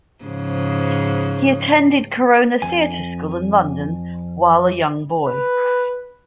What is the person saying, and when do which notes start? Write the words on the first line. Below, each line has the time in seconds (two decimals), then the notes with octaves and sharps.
He attended Corona Theatre School in London while a young boy.
0.24 G#2 C#3 F3
2.62 F2 G#5
5.26 B4